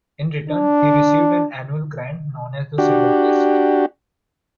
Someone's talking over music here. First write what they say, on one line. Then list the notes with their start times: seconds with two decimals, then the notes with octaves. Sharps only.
In return, he received an annual grant known as the Civil list.
0.50 D4
2.78 D4 F#4 G4